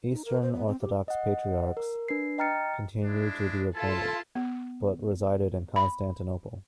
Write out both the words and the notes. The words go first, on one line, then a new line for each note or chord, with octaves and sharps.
Eastern Orthodox Patriarchs continued to be appointed, but resided in Constantinople.
D#4
A#4
C5
B3
C4
G4
D#5 F#5
A#4
D4 B4 C7
D#5 G5 A#5 F6 A6 C#7
G#3 D4 E4
E4 F4 A4 A5
B3
B5